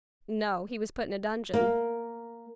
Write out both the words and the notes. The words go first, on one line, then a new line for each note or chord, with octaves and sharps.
"No; he was put in a dungeon."
A#3